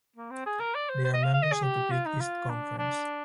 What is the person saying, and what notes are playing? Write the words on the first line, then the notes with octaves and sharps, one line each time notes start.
They are members of the Big East Conference.
A#3
C4
G#4
A#4
D5
C5
C5
D#5
F5
F5
D#5
G#4
G4
F4
D#4
F4
D4
D4